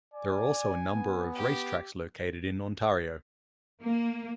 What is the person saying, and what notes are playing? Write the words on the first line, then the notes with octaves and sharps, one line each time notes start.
There are also a number of racetracks located in Ontario.
D5 G#5
B3
G4
A#3